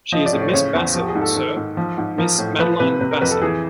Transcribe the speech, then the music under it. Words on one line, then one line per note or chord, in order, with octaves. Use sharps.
She is a Miss Bassett, sir; Miss Madeline Bassett.
F3 D#5
D5
A2
C#5
C5
C#3 C#5
E2 C5
F3
G4
G#4
G#2
A4
D#3 A4
G#2
F3
G#2
F3 A#4
A2
F3 B4
C3 B4
C3 B4
A#4
F2 B4
A4
E3 G#4